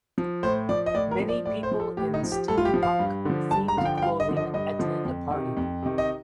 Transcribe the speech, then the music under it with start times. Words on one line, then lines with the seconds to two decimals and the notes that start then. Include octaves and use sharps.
Many people in steampunk themed clothing attend a party.
0.18 F3
0.43 A2 C5
0.69 F3 D5
0.86 D#5
0.94 A2 D5
1.11 A#4
1.20 F3
1.29 D5
1.45 A2 D5
1.63 C5
1.71 F3
1.80 A4
1.97 A2 G4
2.14 D#4
2.23 F3
2.32 G4
2.48 A2 A4
2.58 F4
2.65 G4
2.74 F3
2.83 F5
2.99 G2
3.25 D3 F3
3.51 G2 A5
3.68 A#5
3.77 D3 F5
3.81 F3 G5
3.98 G5
4.02 G2 F5
4.20 D#5
4.28 D3 F3
4.37 D#5
4.54 G2 D#5
4.79 D3 F3
5.05 F2
5.31 C3 D#3
5.57 F2
5.82 C3 D#3
5.98 D#5